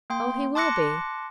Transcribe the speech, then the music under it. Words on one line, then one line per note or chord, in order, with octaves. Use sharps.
'Oh, he will be.
A#3 G5 C6
A5 C6 D6 F#6 A#6 C#7